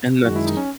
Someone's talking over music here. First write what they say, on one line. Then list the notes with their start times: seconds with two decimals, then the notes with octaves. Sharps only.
and that's
0.25 F#2 D#3 G#3 F#4
0.36 E4
0.47 D#4
0.57 C#4